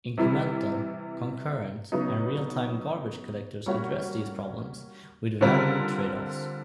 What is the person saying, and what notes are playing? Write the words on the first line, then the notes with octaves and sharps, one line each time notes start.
Incremental, concurrent, and real-time garbage collectors address these problems, with varying trade-offs.
C3 E3 G3
C#3 F#3 B3 D#4
G3 A#3 C#4 F#4
D3 G3 C4 F4 A#4